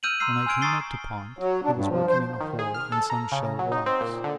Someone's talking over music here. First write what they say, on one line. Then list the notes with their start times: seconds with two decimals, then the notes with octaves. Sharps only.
When I came up to Pont he was working in a hole in some shell rocks.
0.03 E6 F6 G6 D#7 F7 F#7
0.20 A#5 C6 E6 F6 C7
0.46 G#5 C6 E6 F6 G#6 D7
0.62 A#5 C#6 D#6 A6 C7 G7
1.39 F#3
1.64 D4
1.75 G2
1.90 F3
2.09 C5
2.41 D#3
2.59 G#4
2.74 F6
2.92 A4
3.10 A#5
3.32 C#3
3.59 F#3
3.72 D#4
3.86 C4
4.01 A#2
4.24 D3